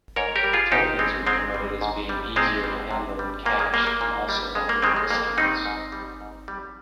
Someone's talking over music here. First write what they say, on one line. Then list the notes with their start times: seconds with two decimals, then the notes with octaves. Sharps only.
Tokens are promoted as being easier to handle than cash, and also include discounts.
0.16 G#2 A#4 C#5
0.36 G4 A#4
0.44 G3
0.53 F4 G#4
0.72 G#2 D#4 G4
0.99 G3 G#3 C4
1.26 G#2 G#3 C4
1.54 G3
1.81 G#2
2.09 G3
2.36 C3 G#3 C4
2.64 G3
2.91 C3
3.19 G3
3.46 A#2 A#3
3.59 G#3
3.73 G3 A#3
3.87 A#3
4.01 A#2
4.29 G3
4.55 F2 G#3
4.69 A#3
4.82 D#3 G3 G#3 C4
4.96 G#3
5.10 F2 A#3
5.37 D#3 G3 C4 D#4
5.66 G#2
5.92 G3
6.21 G#2
6.48 G3